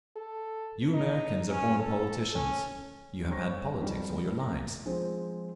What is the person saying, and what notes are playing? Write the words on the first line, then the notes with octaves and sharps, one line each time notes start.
You Americans are born politicians; you have had politics all your lives.
A4
D#4
C#4
A4
C#4
G3 C4 C#5 C#6 A#6
F2 D#3 F#3 G3
A#5
F3 G#3 C4 C5